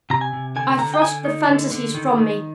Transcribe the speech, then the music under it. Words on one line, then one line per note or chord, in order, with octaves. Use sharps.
I thrust the fantasies from me.
C3 A#5
G#5
C3
D3 G#5
D3 A#5
G5
D3 G#5
D#4
D3
D3
D#3
D#3